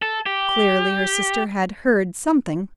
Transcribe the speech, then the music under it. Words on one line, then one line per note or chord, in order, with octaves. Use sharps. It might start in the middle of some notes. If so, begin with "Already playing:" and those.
Clearly her sister had heard something.
A4
G4